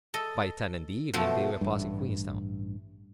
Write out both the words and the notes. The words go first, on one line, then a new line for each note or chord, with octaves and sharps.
By ten in the evening they were passing Queenstown.
A4 D#5
B2 F3 A3
A1 G2